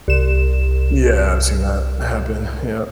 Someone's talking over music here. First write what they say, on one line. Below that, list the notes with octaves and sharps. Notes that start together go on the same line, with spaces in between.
Yeah, I've seen that happen. Yeah.
C2 E7